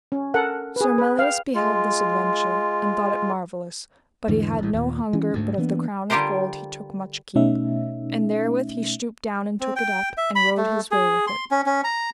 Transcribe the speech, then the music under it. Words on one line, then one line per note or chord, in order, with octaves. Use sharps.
Sir Melias beheld this adventure, and thought it marvellous, but he had no hunger, but of the crown of gold he took much keep; and therewith he stooped down and took it up, and rode his way with it.
C#4
A4 A#4 F#5
G#4 B4
B4
F5 G5
G#3 F4
E2 G#2 D3 E3
A1 A2
D#2 A#2
E3 C#4
D2 G#2 A3
E3 A#3 B3 D4
D3 G3 F4 G4 A#4 C5
B2 A3 C#4 D#4 E5
C4
G5
E5
B5
A3
G#4
C6
C#4
C#4
A#5